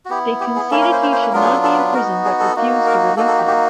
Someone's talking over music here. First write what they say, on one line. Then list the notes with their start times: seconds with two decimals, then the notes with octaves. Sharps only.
They conceded he should not be imprisoned but refused to release him.
0.05 F#4
0.10 B3 E4 G4
0.40 G4
0.56 G#4
0.71 A#3 C#4 E4 A4
0.81 A#4
0.92 C5
1.02 C5
1.12 C5
1.22 B4
1.33 F#3 B3 D4 F4 A#4
1.43 G#4
1.53 A4
1.63 A4
1.79 B4
1.94 B3 D#4 F#4 A#4
2.25 G#4
2.40 A4
2.56 A#3 D#4 F#4
2.86 A#4
3.17 A#3 D#4 F#4 A4
3.28 A4
3.38 G4
3.48 G4